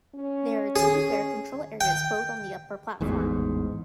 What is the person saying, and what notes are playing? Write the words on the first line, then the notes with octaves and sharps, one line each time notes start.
There are two fare control areas, both on the upper platform.
C#4
G#4
G5
A1 E2 G#2